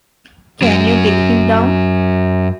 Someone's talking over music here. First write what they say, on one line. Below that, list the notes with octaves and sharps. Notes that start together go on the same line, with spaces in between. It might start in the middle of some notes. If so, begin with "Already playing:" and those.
Can you get him down?
F#2 F#3